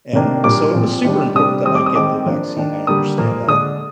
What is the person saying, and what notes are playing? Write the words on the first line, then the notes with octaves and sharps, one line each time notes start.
and so, it was super important that I get the vaccine, I understand that,
C3 D#3 A#3 D4
A#2 G3 A#3 D4 D6
A#2 F3 C4
D#3 G3 D4
C3 G3 D4 D#6
D#3 G3 C4 D#6
D6
D#6
D#3 G#3 C4 D6
F3 A#3 D4
D#3 A#3 D4
D3 G3 A#3 D#6
A#2 F3 A#3
D3 G#3 D4 D#6